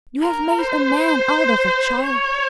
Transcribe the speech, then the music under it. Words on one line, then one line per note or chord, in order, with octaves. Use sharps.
You have made a man out of a child.
A#4
C5
C#5